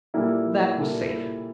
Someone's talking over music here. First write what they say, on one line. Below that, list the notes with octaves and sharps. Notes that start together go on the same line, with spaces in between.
That was safe.
A#2 G3 A#3 E4 A4
A#2 G3 A#3 E4 A4